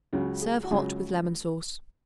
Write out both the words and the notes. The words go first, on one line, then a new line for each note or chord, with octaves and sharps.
Serve hot with lemon sauce.
C#2 C#3 F#3
G#4
F#4
C#2 C#3 F#3 G#4